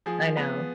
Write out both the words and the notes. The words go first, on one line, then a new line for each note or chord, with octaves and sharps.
I know.
F3 G#4
F3
B3